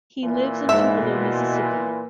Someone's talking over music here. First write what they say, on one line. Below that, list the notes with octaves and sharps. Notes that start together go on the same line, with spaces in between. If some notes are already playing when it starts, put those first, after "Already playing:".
He lives in Tupelo, Mississippi.
A#2 E3
G#2 E5
B2